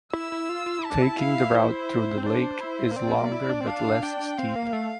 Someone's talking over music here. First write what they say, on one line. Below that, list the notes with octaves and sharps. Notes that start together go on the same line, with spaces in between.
Taking the route through the lake is longer but less steep.
E4 E6
E4
F4
F4
E4
A5
D4
E4
F5
C5
C4
D4 C5
E4
A#3
C4 D5
A#3
E4
D4
C4
D4 F5
D4 G5
C4 F5
A#3
A3